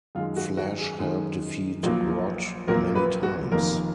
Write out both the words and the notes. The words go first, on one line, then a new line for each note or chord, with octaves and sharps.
Flash helped defeat Grodd many times.
F#2 D#3 G#3 F4
F#4
F#4
G#4
F#2 D#3 G#3
A#1 A#2 F#3 A#3
A#1 A#2 F#3 A#3 A#4
B4
F#4
F1 F2 D#3 A#3 A#4